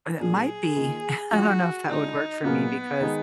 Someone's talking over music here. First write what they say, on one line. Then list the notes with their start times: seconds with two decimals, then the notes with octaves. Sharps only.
but it might be I don't know if that would work for me because
0.19 A#2 F#3 A#3 D4 G#4
0.76 D#3 A#3 F4
1.31 F3 G#3 D4 F4 F#4 G#4
1.88 D3 G#3 D4 D#4 F4 G#4
2.44 A#2 F#3 A#3 B3 F4 G#4
3.01 D#3 G#3 D#4 G#4